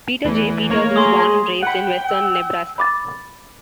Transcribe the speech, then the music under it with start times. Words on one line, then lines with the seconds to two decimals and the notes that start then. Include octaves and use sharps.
Peter J. Peters was born and raised in Western Nebraska.
0.25 E2 E3 A3
0.70 A#3 C#5 A#5
0.96 G#4 C6 D#6
1.63 F#5 G5 B5
2.09 E6
2.78 B5 D6 A6